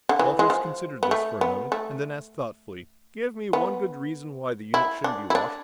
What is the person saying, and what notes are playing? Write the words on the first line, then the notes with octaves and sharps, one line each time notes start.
Walters considered this for a moment and then asked thoughtfully, "Give me one good reason why the unit shouldn't be washed out."
D3
E3
G#3
F3
B3
A3
B3
A3
B3
E4
D4
E4
D4